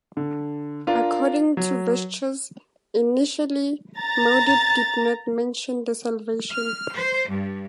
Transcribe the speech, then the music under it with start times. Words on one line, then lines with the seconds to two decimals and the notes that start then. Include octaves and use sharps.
According to Viesturs, initially Mauduit did not mention the salvation.
0.17 D3
0.87 D4 F4 A#4 F5
1.57 F#3
3.99 A#5 A6
6.50 F6
6.92 C5
7.28 G2